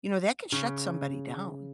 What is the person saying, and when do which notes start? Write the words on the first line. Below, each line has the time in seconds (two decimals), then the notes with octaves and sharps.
You know, that can shut somebody down.
0.52 C#3